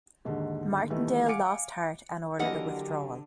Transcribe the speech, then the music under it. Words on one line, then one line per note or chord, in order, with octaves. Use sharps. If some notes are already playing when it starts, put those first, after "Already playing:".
Martindale lost heart and ordered a withdrawal.
D#2 G#2 D3 D#3
D#3 E3 G3 A3
F5 F#5 G#5 D6 C#7 D7
D3 E3 F#3 A#3 G4 A#4 D#5 F#5